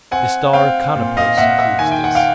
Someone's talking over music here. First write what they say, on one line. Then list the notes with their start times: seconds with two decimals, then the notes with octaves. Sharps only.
The star Canopus proves this.
0.11 C4 F#5 G#5
0.53 C4 F5 G5
0.96 A#2
1.17 D#5 F5
1.37 A#2 E5 F#5
1.59 E5 F#5
1.79 D#3 G#5
1.91 G5
2.04 F#5
2.15 F5 G5